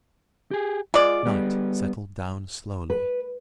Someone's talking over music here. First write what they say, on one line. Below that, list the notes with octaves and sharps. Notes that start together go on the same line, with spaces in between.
Night settled down slowly.
G4 G#4
G#3 F4 D5
G3 B3
B4